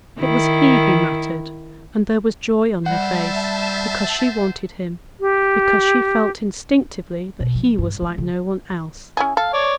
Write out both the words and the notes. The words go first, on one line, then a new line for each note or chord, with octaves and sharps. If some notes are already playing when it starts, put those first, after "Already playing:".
It was he who mattered and there was joy on her face because she wanted him because she felt instinctively that he was like no-one else.
D#3 E4
G3 C5 E5 F#5 A5
G4
B2
F3
G2
G#3
C#3
C#4 E4 G#4
A4 F5
C#5 D5